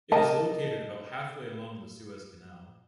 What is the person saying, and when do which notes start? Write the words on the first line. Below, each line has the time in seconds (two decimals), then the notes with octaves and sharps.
It is located about halfway along the Suez Canal.
0.12 A#4 D#5 A5